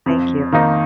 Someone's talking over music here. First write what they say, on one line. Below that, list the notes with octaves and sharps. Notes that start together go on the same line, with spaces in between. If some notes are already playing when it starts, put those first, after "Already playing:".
Thank you.
F2
D#3 A#3 D#4